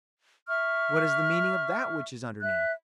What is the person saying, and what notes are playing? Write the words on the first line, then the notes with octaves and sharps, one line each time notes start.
What is the meaning of that which is underneath?
E5 C#6 F6
E5 F#6